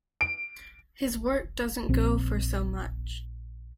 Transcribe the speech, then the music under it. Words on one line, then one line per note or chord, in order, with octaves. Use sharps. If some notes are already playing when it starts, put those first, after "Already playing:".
His work doesn't go for so much.
D7
A#1 C4